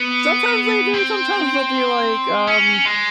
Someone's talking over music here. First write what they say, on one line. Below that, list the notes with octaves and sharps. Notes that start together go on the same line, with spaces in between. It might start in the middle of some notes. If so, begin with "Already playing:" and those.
Sometimes they do, sometimes they'll be like, um,
Already playing: B3
C4
C#4
G#3